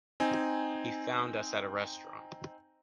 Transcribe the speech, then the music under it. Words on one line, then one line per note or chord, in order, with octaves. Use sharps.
He found us at a restaurant.
C4 D#4 G#5